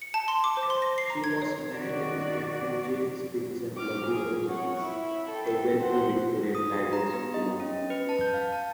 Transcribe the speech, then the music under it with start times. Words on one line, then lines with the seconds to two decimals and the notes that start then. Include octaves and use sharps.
She was married to Captain James Pinson Labulo Davies, a wealthy Victorian Lagos philanthropist.
0.02 C#7
0.14 A5
0.28 C6
0.44 D6
0.57 C5
0.70 C6
0.82 A#6
0.98 C7
1.10 A#5
1.24 G#6
1.42 C#5
1.72 D#3 F#4 D5
3.76 D6 F6
4.07 G#4
4.47 C#5 F#5
4.82 E4
5.30 A4 G5
5.79 C5 F#5
6.55 D#6
6.78 F#4
6.93 A#5
7.13 B3
7.34 D#5
7.60 C#4
7.90 B4
8.09 A5
8.21 G6
8.34 F5
8.52 A5